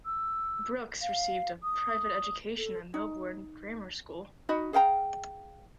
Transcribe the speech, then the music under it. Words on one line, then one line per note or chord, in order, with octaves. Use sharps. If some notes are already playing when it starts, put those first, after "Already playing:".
Brookes received a private education at Melbourne Grammar School.
E6
F5
D#6
A4
D#4
D#4 F#4 D#5 B5
G#4 F5 G5 A#5